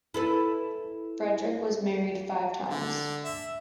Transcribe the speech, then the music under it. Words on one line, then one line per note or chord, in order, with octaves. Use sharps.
Frederick was married five times.
E4 A4 B4
D3
E5